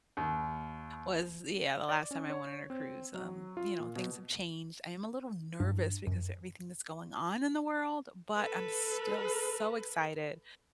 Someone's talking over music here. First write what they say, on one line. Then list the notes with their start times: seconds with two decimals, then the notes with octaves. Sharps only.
was, yeah, the last time I went on a cruise, um, you know, things have changed. I am a little nervous because everything that's going on in the world, but I'm still so excited
0.17 D#2
1.89 D5
2.11 C#4
2.30 C#5
2.70 C4
3.14 F#3
3.57 F4
3.80 A#2
3.96 B2
5.60 G2
6.07 F#2
8.36 A4 B4